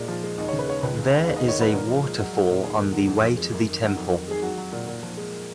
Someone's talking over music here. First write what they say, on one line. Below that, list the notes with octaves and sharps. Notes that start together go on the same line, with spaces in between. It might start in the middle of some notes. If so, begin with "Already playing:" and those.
There is a water-fall on the way to the temple.
Already playing: A#2 G#3
F3
G#3
D#2 D#5
C#3 C#5
B4
G#3 C#5
C#2 B4
C#3
G#3
D#2 F5
D#5
D#3 C#5
F#3 B4
A#2 A#4
F3
G#3
F#3
F#3
A#2
D#2 G#4
D#3
F#3
F2
F3
G#3
F#2
D#3
F#3
F2
D#3
G#3 G#4
F#3 F#4
F#3
A#2
A#2
F3
G#3